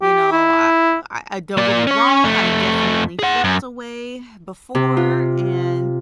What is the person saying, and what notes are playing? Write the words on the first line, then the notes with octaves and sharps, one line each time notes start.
you know, I, uh, I I don't get me wrong, I definitely felt a way before and,
G4
E4
A#3 D5
C#4 C#5
F2 A3
G#4 F#5
F#2
C3
F4